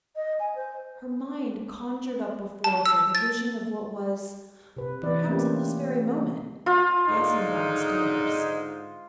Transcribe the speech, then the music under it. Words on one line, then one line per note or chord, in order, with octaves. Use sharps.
Her mind conjured up before her the vision of what was, perhaps at this very moment, passing downstairs.
D#5
G#5
C5
A5
E6
A6
C3 B4
E3 B4 D5
A3 A#3 C4 C#4 F4 G4
F4
G#2 D3 D#4